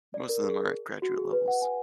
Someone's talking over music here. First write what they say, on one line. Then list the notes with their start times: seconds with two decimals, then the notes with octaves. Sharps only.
Most of them are at graduate levels.
0.14 D5
0.29 A#4
0.44 G#4
0.54 G#4
1.02 F#4
1.18 G#4
1.32 B4
1.48 F#5
1.62 G#5